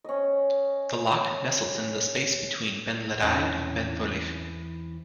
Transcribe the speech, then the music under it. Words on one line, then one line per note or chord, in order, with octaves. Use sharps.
The loch nestles in the space between Ben Ledi and Ben Vorlich.
C#4 D#5
E2 E3 C4 C#4 D#4 D#5